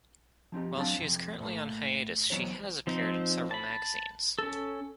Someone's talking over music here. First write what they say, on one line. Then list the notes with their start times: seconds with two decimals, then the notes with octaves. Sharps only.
While she is currently on hiatus, she has appeared in several magazines.
0.52 F3 C4 D#4 G4
0.76 F#3 C4 D4 F5 A5
0.98 F2 C3
1.40 A2 A3 A#3
2.30 E3 F#3 B3 D#4 C5 C#5
2.87 F3 C4 D#4
3.51 A5 B5
4.39 C#4 A4